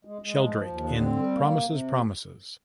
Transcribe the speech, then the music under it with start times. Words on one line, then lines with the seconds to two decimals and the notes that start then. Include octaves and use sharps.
Sheldrake in "Promises, Promises".
0.05 G#3
0.22 G#3
0.38 F3
0.53 F3
0.68 D#2
0.84 D3
1.00 C4
1.16 G3
1.32 A#3
1.48 C3
1.63 C3